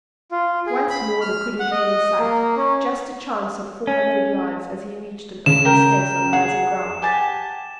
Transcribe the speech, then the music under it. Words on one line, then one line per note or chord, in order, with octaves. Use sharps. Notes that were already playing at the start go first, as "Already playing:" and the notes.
Once more the koodoo came in sight--just a chance at four hundred yards as he reached an open space on rising ground.
F4
G#4
B5
F6
F#5
D#5
A#3
C#4
C#4
C#3 E7
A#4 G5
G#4 F#5
G4 G#5 A5